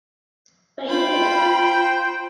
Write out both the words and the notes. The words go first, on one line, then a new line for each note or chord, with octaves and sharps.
But he did it!
F4 C5 G5 B5